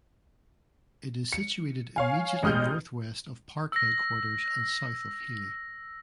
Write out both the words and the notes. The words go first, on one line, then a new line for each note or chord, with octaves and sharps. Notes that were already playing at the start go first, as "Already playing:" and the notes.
It is situated immediately northwest of park headquarters and south of Healy.
C#7
C#5 F5 G#5
A1 G#3 D#6 F6 G6
E6 A#6